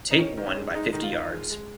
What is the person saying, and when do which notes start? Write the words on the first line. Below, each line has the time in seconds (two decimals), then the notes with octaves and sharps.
Tait won by fifty yards.
0.11 D#4
0.18 D#3 C#4
0.37 D#3
0.46 C#4
0.56 G#3
0.75 G#3 D#4
0.93 D#3 D#4
1.03 F4
1.13 D#3
1.32 G#3
1.50 G#3